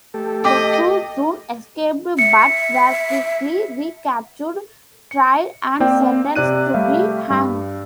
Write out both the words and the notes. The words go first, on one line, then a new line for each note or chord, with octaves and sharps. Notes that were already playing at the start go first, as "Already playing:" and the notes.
The two soon escaped but were quickly recaptured, tried, and sentenced to be hanged.
A3 G4 A4
D#5 G5 D6 B6
E5 C#7
C#7
A#3 C4 C5 D5 G5
C3 D5 F#6 D#7
G3 A3 G4 E5 F5
G2